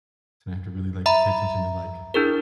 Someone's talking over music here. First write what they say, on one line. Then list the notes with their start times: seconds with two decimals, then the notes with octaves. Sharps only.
so I have to really, like, pay attention to, like,
1.06 E5 A#5 B5
2.14 D4 E4 G#4 A#4